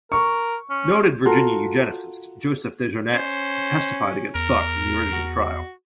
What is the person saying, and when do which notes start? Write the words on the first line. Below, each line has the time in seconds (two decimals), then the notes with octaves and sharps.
Noted Virginia eugenicist Joseph DeJarnette testified against Buck in the original trial.
0.12 A#4 C#6
0.70 C#4
1.25 F4 F#4 A4 A#4
3.12 C#4 C5
4.35 E2 A#4
5.13 F#4